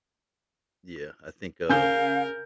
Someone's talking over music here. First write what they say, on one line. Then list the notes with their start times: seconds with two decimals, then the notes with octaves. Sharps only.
Yeah, I think, um,
1.69 C#3 A#4 F5 G#5 G6